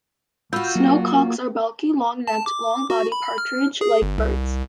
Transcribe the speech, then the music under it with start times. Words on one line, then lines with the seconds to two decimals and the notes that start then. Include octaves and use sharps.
Snowcocks are bulky, long-necked, long-bodied partridge-like birds.
0.53 F4 F#4 B5 E6 G6
0.76 F#3 A#3
2.27 A5
2.46 D6
2.90 F#4
3.12 B5
3.38 F6
3.81 G#4
4.02 G1
4.18 C2